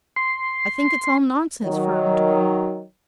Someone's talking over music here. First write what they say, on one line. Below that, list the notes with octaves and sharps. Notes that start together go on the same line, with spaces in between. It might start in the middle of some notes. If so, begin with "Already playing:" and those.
I think it's all nonsense for 'em to go.
C6
D#3 F#3